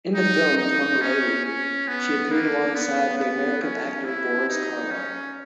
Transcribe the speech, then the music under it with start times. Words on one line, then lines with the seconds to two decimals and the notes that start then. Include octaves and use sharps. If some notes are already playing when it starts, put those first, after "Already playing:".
In the film, "Tongolele" she appeared alongside the American actor Boris Karloff.
0.15 D#4
0.58 D#4
1.01 C#4
1.45 C#4
1.88 B3
2.31 A#3
2.75 B3
3.18 B3
3.61 C#4
4.05 E4
4.49 D#4
4.91 C#4